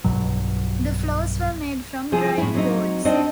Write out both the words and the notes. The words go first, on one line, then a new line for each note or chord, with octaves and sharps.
The floors were made from dried boards.
B1 G2 B2 F#3
C3 F3 E4 G#4
A2 E4
F#3 C4 D#4
C4 D4 D#4 C5 D5 D#5